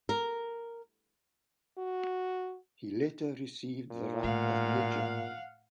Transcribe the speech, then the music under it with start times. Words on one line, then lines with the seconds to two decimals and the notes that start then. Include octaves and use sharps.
He later received the rank of major.
0.09 A#4
1.78 F#4
3.91 A#2
4.23 A2 F5 F#5